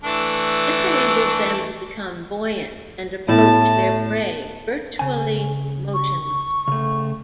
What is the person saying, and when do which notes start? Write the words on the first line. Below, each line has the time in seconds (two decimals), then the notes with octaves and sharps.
This enables them to become buoyant and approach their prey virtually motionless.
0.04 E3 A3 D4
3.28 A2 A3 B3 E4 A5
4.99 C#3 G#5
5.94 C#6
6.68 C#3 A3